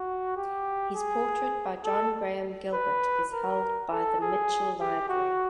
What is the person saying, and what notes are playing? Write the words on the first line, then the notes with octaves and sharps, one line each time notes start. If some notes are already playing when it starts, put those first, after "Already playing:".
His portrait by John Graham Gilbert is held by the Mitchell Library.
Already playing: F#4
G4
G#4
A4
B4
A#4
A4
G#4
G4
F#4